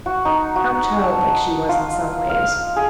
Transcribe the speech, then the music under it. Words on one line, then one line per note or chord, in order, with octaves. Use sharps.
How childlike she was in some ways!
F#4
D#4
F#4
A5
F4
F5
G#4